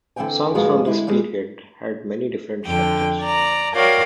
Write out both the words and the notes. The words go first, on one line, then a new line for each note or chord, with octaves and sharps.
Songs from this period had many different structures.
D3 E3 A#3 C4 G5 G#5
D2 G#2 F3 G#3 B3 F#4
D3 G#3 E4
E3 G3 G#3
F2 D3 G5
D5 A#5
F#4 A#4 C#5 D5 F5 G5